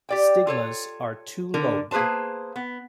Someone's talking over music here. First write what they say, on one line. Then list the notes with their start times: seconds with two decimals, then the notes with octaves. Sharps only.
Stigmas are two-lobed.
0.09 G4 D5 G5
0.47 F4 A4 C#5
1.54 D3 A#4
1.91 A#3 G#4 B4 C5 A5
2.56 B3